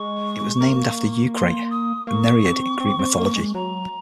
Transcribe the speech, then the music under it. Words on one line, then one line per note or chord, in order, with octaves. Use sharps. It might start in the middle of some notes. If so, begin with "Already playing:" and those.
It was named after Eukrate, a Nereid in Greek mythology.
Already playing: G#3 C#6
A#3
C6
D#6
A#3 C#6
C4
C4
C4
A#3
G#3
F#3 A#5